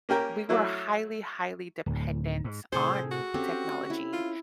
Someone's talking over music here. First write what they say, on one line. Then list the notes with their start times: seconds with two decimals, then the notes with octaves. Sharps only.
we were highly, highly dependent on technology.
0.09 A#3 C#4 G4 A#4
0.49 F#3 A3 E4
1.86 D1 D2
2.44 G#2
2.72 A2 C3 A3 G#4 A4 C5 G5
3.11 F#4
3.34 C4 C#4 G4 A4 F5
3.90 E4
4.13 F4